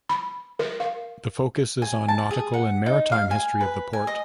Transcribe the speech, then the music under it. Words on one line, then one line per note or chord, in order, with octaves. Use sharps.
The focus is on nautical and maritime history of the port.
B5
A#4
F5
G#5
A5
G#4
F#5
D#4
F5
G#5
B4
G#5
D#5